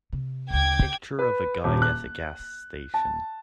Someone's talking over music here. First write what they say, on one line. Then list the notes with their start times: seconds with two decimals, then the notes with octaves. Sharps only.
Picture of a guy at a gas station.
0.13 C3
0.50 F#1 D2 G5 D6 G#6
1.19 B4
1.64 D#1
1.82 F#6
2.94 A5